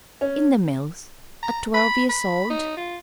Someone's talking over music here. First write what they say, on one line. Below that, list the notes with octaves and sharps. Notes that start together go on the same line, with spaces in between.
"In the mills--at twelve years old!"
C#4
A#5
B5
B5
D#4
F4